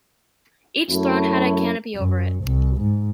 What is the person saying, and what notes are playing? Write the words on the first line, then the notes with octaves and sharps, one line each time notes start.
Each throne had a canopy over it.
F#2 F#3 A3 E4
F#2
C2
G#2